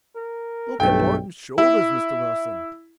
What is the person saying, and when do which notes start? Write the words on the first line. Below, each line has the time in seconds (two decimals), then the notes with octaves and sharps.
"Look at Barton's shoulders, Mr. Wilson."
0.16 A#4
0.80 B1 G2 A3 G5
1.58 E4